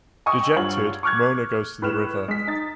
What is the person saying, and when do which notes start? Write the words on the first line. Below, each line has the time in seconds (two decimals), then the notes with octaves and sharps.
Dejected, Mona goes to the river.
0.26 D#5 G5 G#5 C#6 D#6 E6
0.56 G2 F4 C#5 F#5 F#7
1.03 C#6 D6 F6 F#6 G#6
1.82 A2 B4 F6 E7
2.28 G#3 B6
2.48 D#4 A6